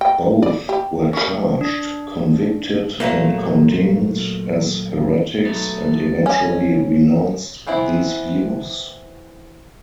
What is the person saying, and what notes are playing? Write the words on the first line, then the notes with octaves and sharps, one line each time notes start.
Both were charged, convicted, and condemned as heretics, and eventually renounced these views.
G5
D5
G4
C#4 A#4
D4
A#2 F#3 A3 A#3
F#3 A3 B3 D#4 A6
C#4
E3 B3 C4 E4